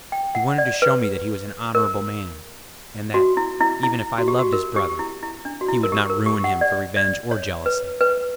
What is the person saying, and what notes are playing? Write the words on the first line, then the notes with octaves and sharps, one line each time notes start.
He wanted to show me that he was an honorable man, and that, even if I loved his brother, he would not ruin him for revenge or jealousy.
G5
F#5
D5
B4
A#4
F#4
E4
E4
E4
F#4
G4
F#4
A#4
G4
E4
E4
D4
F#4
E4
A#4
G4
A#4
G4
F#5
D5
D5
C#5
B4
B4